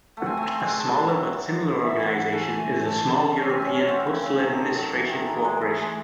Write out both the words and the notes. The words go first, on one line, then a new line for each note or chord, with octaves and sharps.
A smaller but similar organization is the Small European Postal Administration Cooperation.
A3 F#5
C4 G#5
A3
C4
G#3
G#3 A5
F#3
E3
F#3
E3 E5
E3
F#5
A3 G#5
A5
C#4 G#5
C4
C#4
C#4
C4 F#5
C#3
C#5
C#3
D#3 A4
D#3
F#3
E3 G#4
A4
D#3
A4
E3 G#4
G#3
A3
G#3